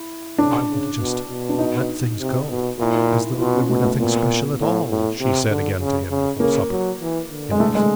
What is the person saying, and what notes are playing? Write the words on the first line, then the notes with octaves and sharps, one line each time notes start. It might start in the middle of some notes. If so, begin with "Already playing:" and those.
'I would just let things go, as though there were nothing special at all,' she said again to him, before supper, in a whisper.
Already playing: E4
C#3 D4
C#3
B2
B2
D4
D#4
C3
B2
A#2 E4
D#4
E4
B2 F4
C#4
B2 A3
A3
A#2 B3
A2
A2
C3
D3
C#3
C#3
C#3 A#3
F#3
E3
D3
G#3
A3
G#3